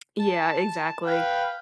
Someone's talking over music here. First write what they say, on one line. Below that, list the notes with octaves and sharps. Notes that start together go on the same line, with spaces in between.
Yeah, exactly,
A5
B4 F5 G5